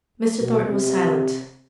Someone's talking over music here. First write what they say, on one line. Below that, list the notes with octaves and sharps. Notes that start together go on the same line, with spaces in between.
Mr. Thornton was silent.
B2
C3